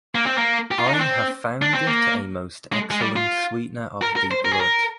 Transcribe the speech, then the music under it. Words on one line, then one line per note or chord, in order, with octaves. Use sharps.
I have found it a most excellent sweetener of the blood.
A#3
C4
A#3
G4
F4
D#4
D4
C4
D4
C4
A#3
G#3
G#3
G3
F4
A#4
A#4
C5
A#4
G#4
A#4